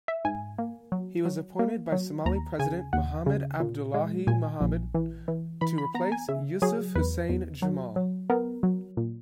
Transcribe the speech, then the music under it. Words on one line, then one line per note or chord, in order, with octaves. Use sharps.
He was appointed by Somali President Mohamed Abdullahi Mohamed to replace Yusuf Hussein Jimaale.
E5
G#2 G#5
A#3
F#3
F#3
A#3
F#3
D#2 A#5
C#3 G#5
D#2 F#5
C#3
A#2
G#3
A#2 G#5
A#1
E3
E3
E3 B5
B5
B3 A#5
G#5
C#3 E5
F#3 G#4
E2 B4
E2
F#3
F#3
B3 A#4
F#3
A#2